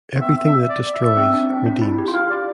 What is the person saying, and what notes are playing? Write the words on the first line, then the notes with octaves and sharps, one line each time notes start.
Everything that destroys, redeems.
B3
C4 E5
E5
D5
E5
C4
D4
C4
D4
E4
G4
F4
G4 F5
D5